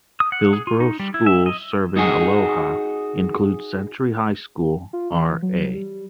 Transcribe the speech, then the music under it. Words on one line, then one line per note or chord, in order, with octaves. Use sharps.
Hillsboro schools serving Aloha include Century High School, R. A.
D#6
F#5
G#4
F4
D#4
G3
E4
E5
D#5
D#4 F#4 G#4
F4
E3
F#3
G3